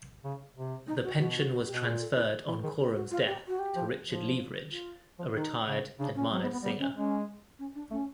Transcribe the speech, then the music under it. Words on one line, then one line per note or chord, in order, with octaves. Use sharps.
The pension was transferred on Coram's death to Richard Leveridge, a retired admired singer.
C#3
C3
D#4
F#4
B2 F#4
F#4
F#4
G4
B2
A#2 G#4
A4
E4
E3 E4
D#3 G#4
G4
F#4
F4
G4
F#4
G4
F3
F3
F4
F3
D#3 D#4
C#3
C#3 D4
C#4
F#3 C4
B3
B3
G3 B3
C#4
G#3 C#4
C#4
D4
A3 C#4